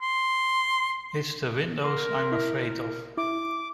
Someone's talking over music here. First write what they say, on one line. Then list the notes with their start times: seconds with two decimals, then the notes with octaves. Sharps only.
It's the windows I'm afraid of.
0.01 C6
1.84 A#4 C6
2.32 E4
3.17 E4 D6